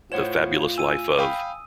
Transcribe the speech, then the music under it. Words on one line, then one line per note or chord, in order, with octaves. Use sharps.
The Fabulous Life of...
A2 F4 C5 C#5 F#5 E7
G#5 E6 D#7
F5 G5 B5 D#6